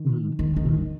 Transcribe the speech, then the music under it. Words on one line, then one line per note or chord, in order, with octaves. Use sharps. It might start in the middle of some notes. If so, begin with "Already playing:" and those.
Mhm. Mhm.
Already playing: D#3
D#3
D#3